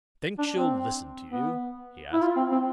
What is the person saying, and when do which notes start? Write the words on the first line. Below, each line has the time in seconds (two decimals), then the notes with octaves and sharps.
"Think she'll listen to you?" he asked.
0.38 D4
0.53 C4
1.30 B3
2.13 E4
2.21 F4
2.36 C4
2.52 C4